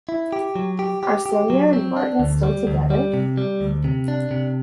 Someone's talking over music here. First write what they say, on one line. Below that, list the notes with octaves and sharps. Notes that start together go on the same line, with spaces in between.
Are Sonia and Martin still together?
E4
G4
F#3
G4
G4
G4
F#3
C4
D4
D2
G3
D2
G3
C3
G3
D2
C3
D4
C3